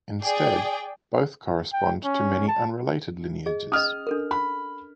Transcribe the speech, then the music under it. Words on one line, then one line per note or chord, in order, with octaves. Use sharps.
Instead, both correspond to many unrelated lineages.
G#4 D5 G5
G5
C#4
A5
G#4 D#5
C#4 D#5 D#6 F6
D4 A4 A#4
B5